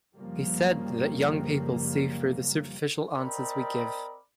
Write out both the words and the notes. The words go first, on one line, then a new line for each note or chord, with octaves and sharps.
He said that young people "see through the superficial answers we give".
F#1 C#3 F3 G3 A#3
C4 A#4 D5 D#5 B5